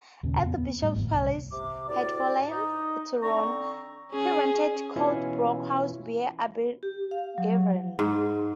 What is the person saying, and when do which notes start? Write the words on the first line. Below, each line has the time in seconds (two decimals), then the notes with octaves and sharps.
As the bishop's palace had fallen to ruin, he rented Coldbrook House bear Abergavenny.
0.23 D#2 A#2 C#3
0.43 F2 B3
0.58 B3
0.82 A2 G3
0.96 G1 E2 A#2
1.12 C2
1.52 C3 D6
1.87 D2 A2 D5
2.50 D#4
3.23 D3 C4 A#5 C#6
4.11 C#4 G#4
4.96 B2 E3 C#4 E4 F4
6.83 G4
7.11 F5
7.38 F#3
7.99 G#2